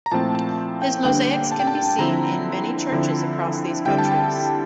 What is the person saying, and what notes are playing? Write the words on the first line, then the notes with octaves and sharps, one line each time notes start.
His mosaics can be seen in many churches across these countries.
A#5
A#2 F3 A3 C4 E4 A5
A5
A5
G5
D3 G3 A#3 D4 G5
A5
G5
A5
D3 F3 C4 E4 A#5
D3 F3 C4 E4
D3 G3 C4 E4 G5
A5
G5